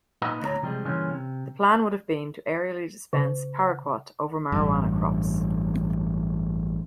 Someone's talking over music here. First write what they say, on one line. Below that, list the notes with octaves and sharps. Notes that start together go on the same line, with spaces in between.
The plan would have been to aerially dispense paraquat over marijuana crops.
A#2 D#4 F4 B4 D#5 A#5
D2 A2 C#5 A#5
C3 F3 G3 G#3
G2 A#2 C#3 E3 C#4 F4
C3
C#3
A1 G2